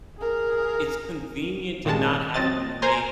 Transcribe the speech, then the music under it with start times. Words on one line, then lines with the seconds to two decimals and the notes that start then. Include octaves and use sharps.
it's convenient to not have to make
0.17 G#4 A#4
1.85 G#1 A#2 D#3 G3 G#3 A5
2.34 A1 F#3 C4 D#5 A6
2.82 A#4 C5 G#5 A#5 C6